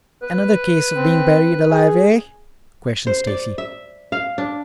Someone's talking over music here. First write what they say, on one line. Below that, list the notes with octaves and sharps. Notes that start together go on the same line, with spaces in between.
"Another case of being buried alive, eh?" questioned Stacy.
B4
C4
G#4
C5
D5
E5
F5
D4